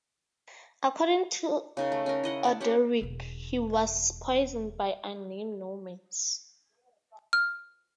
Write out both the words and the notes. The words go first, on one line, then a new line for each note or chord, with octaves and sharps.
According to Orderic, he was poisoned by unnamed Normans.
C#3 D#4 A#4
A3
C#4 A#4
E4 D#5 F#5
D5 A5
C#4 G4 C#5 F#5
E1 E2
F6